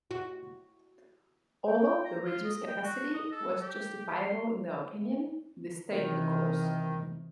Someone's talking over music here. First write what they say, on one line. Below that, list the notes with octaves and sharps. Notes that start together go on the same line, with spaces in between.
Although the reduced capacity was justifiable in their opinion, they stayed the course.
F#4
G5
A#5
F4
D#5
G5
F#4
D#5
A4
G4
C6
C3 D#3 E3